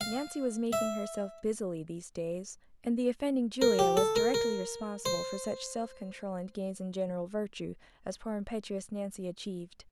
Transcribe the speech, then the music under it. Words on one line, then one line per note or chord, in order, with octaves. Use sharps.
Nancy was making herself busily these days, and the offending Julia was directly responsible for such self-control and gains in general virtue as poor impetuous Nancy achieved.
F5
E5
A#4
G4
A4
A#4
A#4
C5